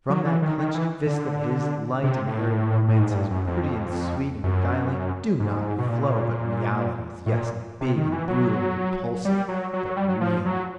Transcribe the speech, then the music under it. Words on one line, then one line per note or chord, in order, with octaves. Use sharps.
From that clenched fist of his, light and airy romances, pretty and sweet and beguiling, do not flow, but realities--yes, big and brutal and repulsive, but real.
F#3
E3
D#3
D#3
E3
D3
C3
A2
A2
G#2
G#2
G2
F#2
F2
F#2
G#2
B2
A#2
A2
A#2
C3
D#3
E3
F#3
G3
F#3
F#3
F#3
G3
F#3
F3
F#3